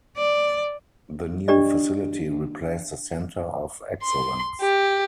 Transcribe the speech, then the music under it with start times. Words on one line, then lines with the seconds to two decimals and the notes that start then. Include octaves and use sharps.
The new facility replaced the Centre of Excellence.
0.17 D5
1.48 D4 G4 D5 D#5
4.03 C6
4.61 G4